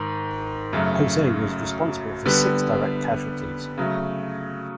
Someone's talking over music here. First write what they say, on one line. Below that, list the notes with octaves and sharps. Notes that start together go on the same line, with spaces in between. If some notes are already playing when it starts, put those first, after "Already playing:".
Jose was responsible for six direct casualties.
Already playing: G#2 D#3
F#2 C#3 F#3 A3
D3 G3 B3
C#3 F#3 A3